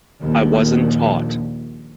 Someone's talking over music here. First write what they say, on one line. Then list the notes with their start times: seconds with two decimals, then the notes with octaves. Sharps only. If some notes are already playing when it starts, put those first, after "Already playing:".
I wasn't taught.
0.22 A#1 D#2